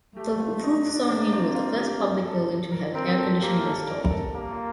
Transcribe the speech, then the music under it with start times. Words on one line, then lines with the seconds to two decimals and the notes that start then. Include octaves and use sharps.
The Wolfsonian was the first public building to have air conditioning installed.
0.16 A3 G4
0.40 F4
0.62 D#4
0.86 D4
1.09 A#3 D4
1.32 C4
1.55 F4
1.79 G4
2.25 A4
2.72 A#4
2.94 C4 A#4
3.18 A4
3.41 A#3 G4
3.64 A4
3.87 A#4
4.02 A#4
4.10 A4
4.35 A#3 G4
4.51 F4